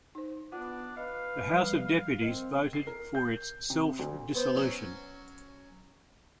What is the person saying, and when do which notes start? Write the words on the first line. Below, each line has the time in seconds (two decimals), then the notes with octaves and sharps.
The House of Deputies voted for its self-dissolution.
0.15 D#4 C5
0.52 B3 D4 F4 F#5
0.97 B4 D#5 F5
1.49 F3 G3
2.21 C4 A#4 D#5
2.73 C7
2.87 A#4
3.15 G6
3.70 C3
3.99 D2
4.35 B3 C5
4.55 F#3 C#4